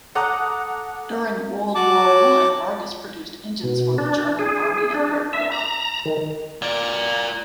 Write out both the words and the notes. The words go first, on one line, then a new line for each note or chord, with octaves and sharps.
During World War One Argus produced engines for the German army and air corps.
A4 F#5 A#5 D6 D#6 F#6
F#4 F#5 A5 D6
C#5
B2
D4
G#4
D4
E5
A#5
D#3
A#4 D5